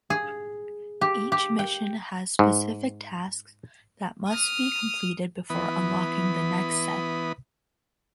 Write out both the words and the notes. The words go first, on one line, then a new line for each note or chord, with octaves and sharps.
Each mission has specific tasks that must be completed before unlocking the next set.
G#4
G4
G4
G5
G#2
D#6 F6
E3 B3 B5 D#6